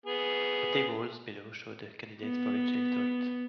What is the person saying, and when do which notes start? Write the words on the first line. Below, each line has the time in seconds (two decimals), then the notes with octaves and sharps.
The tables below show the candidates for each electorate.
0.06 B3 G#4
2.22 B3